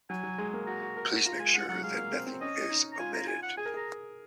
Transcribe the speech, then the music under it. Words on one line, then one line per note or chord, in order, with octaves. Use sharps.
Please make sure that nothing is omitted.
F#3 G#5
F#3
G#3
A#3
F#4 A#5
F#4
A#4
F#4
F4 A#5
G#3 G#5
G#3 F#5
F#3 F#5
G#3 F5
A#3
C4
C4
C#4 D#5
D#4
A#5
F4 G#5
A#5
G#5
F#5
G#4 G#5
A#4
G#4 A#5